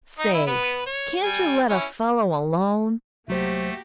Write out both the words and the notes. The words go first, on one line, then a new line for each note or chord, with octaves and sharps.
"Say, can't you let a fellow alone?"
D#4 D#5
E4
B3 B4
C#5
G3 G#5
C#4 E4
C2 F#3 A3 A#3 F#4 G4 C5